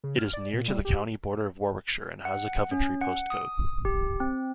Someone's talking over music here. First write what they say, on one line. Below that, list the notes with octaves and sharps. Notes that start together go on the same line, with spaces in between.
It is near to the county border of Warwickshire and has a Coventry postcode.
C#3
F6
D5
A#2
G3
G4
F#5
C#4
F#5
D#6
G4
C4